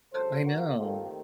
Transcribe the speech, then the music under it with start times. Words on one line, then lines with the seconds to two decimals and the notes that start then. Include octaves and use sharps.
I know.
0.13 C#2 C3 F#3 A4 C5
0.45 F#4 A#4
0.78 D#2 D#3 A3 C4 F4 A4